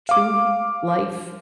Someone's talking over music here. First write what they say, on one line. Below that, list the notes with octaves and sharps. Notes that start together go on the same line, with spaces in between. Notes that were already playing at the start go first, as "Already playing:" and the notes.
true life,
F5 D6